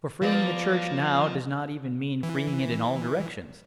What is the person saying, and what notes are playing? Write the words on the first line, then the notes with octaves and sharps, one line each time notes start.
For freeing the church now does not even mean freeing it in all directions.
F3 A#3 B3 D5
E3